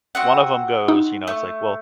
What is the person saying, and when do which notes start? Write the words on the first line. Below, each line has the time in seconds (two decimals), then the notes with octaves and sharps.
one of them goes, you know, it's like, "Well,
0.15 C4 F#4 F#5
0.88 D#4
1.27 A3